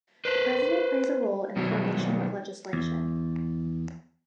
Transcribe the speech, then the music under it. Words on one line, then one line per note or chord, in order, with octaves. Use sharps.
The president plays a role in the formation of legislation.
B4 C5
B2 D#3 F#3 G3
E2